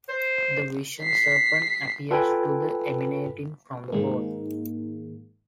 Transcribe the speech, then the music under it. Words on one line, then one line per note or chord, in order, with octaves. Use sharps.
The Vision Serpent appears to be emanating from the bowl.
C5
B6 C7
F4 A4 B4 G5 G#5 B5
G#2 D#3 G#3 A#3